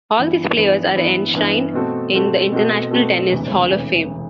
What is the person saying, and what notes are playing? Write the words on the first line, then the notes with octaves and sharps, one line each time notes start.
All these players are enshrined in the International Tennis Hall of Fame.
G2 E3 B3 E4
G2 E3 B3 E4
G2 E3 B3 E4
G2 E3 B3 E4
B2 A3 C4 F#4 A4
B2 A3 C4 F#4 A4
B2 A3 C4 F#4 A4
B2 A3 C4 F#4 A4
E1 D2 C3 E3
E1 D2 C3 E3
C3 E3